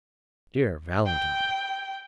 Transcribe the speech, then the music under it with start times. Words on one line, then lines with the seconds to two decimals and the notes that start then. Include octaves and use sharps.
"Dear Valentine!"
1.06 G5